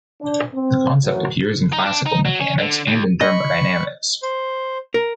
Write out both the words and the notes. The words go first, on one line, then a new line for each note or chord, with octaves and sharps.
The concept appears in classical mechanics and in thermodynamics.
D4
C4
F#2 A2 E3 F#3
D#4
D4
D#4
F#3
C#4
D3
D#2
D#5 B5 C#6
C5
A#4